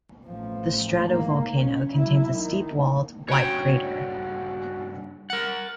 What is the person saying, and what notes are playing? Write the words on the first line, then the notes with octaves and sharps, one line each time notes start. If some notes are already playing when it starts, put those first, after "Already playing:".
The stratovolcano contains a steep-walled, wide crater.
A1 F3
G#2 A#3
C#4
F#3 E4
D#3
G2 C#3 F#4 C#5 G5
A#4 F#5 A6